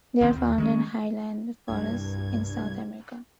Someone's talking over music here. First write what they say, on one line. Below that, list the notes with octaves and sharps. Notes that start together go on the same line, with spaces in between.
They are found in highland forests in South America.
C2 D#3 C4
D#2
D#3 G#3 C#4
C2 G2 G#6